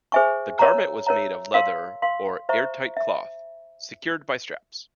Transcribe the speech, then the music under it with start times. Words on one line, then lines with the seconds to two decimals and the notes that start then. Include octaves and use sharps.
The garment was made of leather or airtight cloth, secured by straps.
0.12 G#4 C5 E5 G#5 C#6
0.59 A#4 C#5 E5 A#5
1.07 A#4 C#5 E5 A#5
1.54 A#4 F5 C6
2.02 A#4 F5 C6
2.49 C5 E5 A#5 C#6
2.97 E5